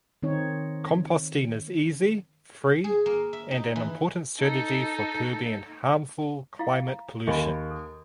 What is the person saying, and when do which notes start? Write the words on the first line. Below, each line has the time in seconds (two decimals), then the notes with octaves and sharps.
Composting is easy, free, and an important strategy for curbing harmful climate pollution.
0.23 D#3 C4 D#4 C#5
2.84 G#4
3.06 A#3
3.33 E5
3.51 D#4
3.76 E3
4.38 D#4 A4
6.59 E4 F5
6.88 A#5
7.27 D#2 D#5 G#5 B5
7.70 A4